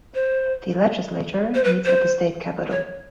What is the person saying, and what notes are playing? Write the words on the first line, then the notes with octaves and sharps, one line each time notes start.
The Legislature meets at the State Capitol.
C5
C5
B4
C5
C#5